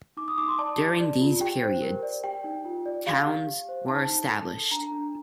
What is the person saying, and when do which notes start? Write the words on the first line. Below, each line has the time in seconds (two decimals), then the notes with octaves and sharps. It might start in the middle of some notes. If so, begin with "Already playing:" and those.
During these period, towns were established.
0.17 D#4 D6
0.28 D#6
0.38 D#4 D6
0.48 C6
0.58 D5 A5
0.79 G4
1.00 D5
1.21 F4
1.41 G4 G5
1.62 C5
1.82 A#4
2.03 D5
2.24 G4 G5
2.44 D#4
2.65 F4
2.86 D5
3.06 G4 F5
3.27 G4
3.47 G4
3.69 C5
3.88 D#4 A5
4.09 D#4
4.31 A4
4.50 A4
4.71 D4 A#5
4.92 D4